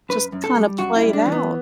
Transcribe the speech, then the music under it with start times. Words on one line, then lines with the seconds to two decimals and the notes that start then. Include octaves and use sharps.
Just kinda play it out.
0.09 F#2 B4
0.32 F#2
0.44 A4
0.55 G3
0.79 F#2 F#4
0.96 E4
1.02 G3
1.13 D4
1.26 E3
1.32 B3